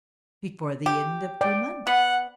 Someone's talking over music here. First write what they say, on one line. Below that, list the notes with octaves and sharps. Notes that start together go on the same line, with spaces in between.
"Before the end of two months."
G4
D5 G5
B3 F#5